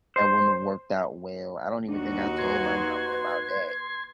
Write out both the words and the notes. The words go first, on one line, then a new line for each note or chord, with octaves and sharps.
that wouldn't have worked out well. I don't even think I told my mama about that,
C5
D#2 D4 D#4 F#4
B4 C6 G#6